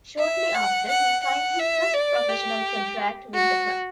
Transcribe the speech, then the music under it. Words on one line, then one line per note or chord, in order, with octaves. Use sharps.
Shortly after, he signed his first professional contract with the club.
E5
F#5
F#5
F#5
E5
D5
G4
F#4